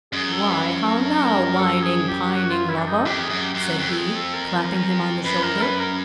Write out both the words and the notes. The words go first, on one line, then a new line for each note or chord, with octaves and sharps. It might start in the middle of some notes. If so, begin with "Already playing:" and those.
"Why how now, whining, pining lover?" said he, clapping him on the shoulder.
F#2 G#4
A4
B4
A#4
A#4
A4
G#4
G4
F#4
F#4
F4
E4
D4
D#4
F2 G4
G#4
F#2
G4
F#2
F#4
F2 F#4
A4
G#4
A4
A#4
F#2 B4
A#4
B4
A#4